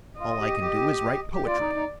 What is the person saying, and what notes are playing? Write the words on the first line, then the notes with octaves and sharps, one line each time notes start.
All I can do is write poetry.
F4 D#5
G4
G4
G4
F4 D5
D#4
D#4